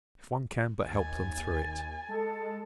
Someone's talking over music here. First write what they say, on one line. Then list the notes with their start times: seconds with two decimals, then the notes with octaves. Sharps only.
If one can but help them through it!
0.87 D#2 G#5 A6
2.08 G#3 A4 A5